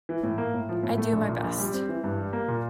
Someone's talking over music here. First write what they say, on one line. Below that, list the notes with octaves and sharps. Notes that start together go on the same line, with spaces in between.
I do my best.
E3
A2
A#3
A2
F3
A2
A3
A#1
A#2
A#1
G3
C4
E3
G2
G3
A#3
A#2